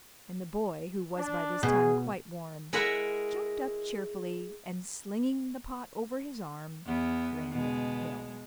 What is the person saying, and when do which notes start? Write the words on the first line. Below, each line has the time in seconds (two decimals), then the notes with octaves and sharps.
And the boy, who was by this time quite warm, jumped up cheerfully, and slinging the pot over his arm, ran down the hill.
1.17 D4
1.63 B2 G#4
2.73 G#3 E4 A#4 E5 F#5
6.86 E2 B3
7.51 B2 G#3